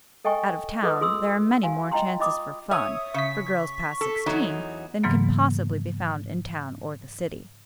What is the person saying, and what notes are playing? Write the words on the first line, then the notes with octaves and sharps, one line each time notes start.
Out of town there are many more chances for fun for girls past sixteen than can possibly be found in town or the city.
A4 D#5 G5 G#5 C#6
F4 G#4 A4 B4 D#5 D#6
F4 G#4 C6 D#6 E6
F#4 F5 G#5
F4 D#5 G5 A#5 C6
F4 D#5 B5 D6 D#6
C#5 E5 D#6
C#3 C#6 B6
A4
E2 F#3 D#4
G#2 C#3 E3 F#3 A#3 B3